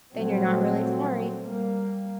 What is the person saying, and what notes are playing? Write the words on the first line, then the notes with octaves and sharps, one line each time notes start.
Then you're not really sorry.
A#2 F#3 G3 A3 C4
G3 A#3